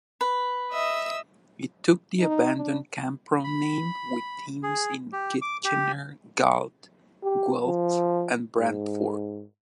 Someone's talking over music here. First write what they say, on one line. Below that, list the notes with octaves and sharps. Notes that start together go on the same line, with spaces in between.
It took the abandoned Canpro name with teams in Kitchener, Galt, Guelph, and Brantford.
B4
D#5 E5 E6
D#4
D4
B5
G#4
G4
D6
G4
G4
F3
G#2